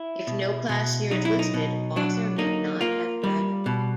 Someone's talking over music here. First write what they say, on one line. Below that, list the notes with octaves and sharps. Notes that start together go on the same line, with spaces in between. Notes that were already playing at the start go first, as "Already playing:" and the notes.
If no class year is listed, author may not have graduated.
Already playing: E4
B2
B2
F#3 D#4
E4
D#4
B2
F#3 D4
A#3 D#4
A#3 F4
G3
B2